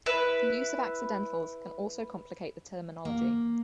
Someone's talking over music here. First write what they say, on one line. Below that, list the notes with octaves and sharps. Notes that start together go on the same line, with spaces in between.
The use of accidentals can also complicate the terminology.
E4 B4
A#3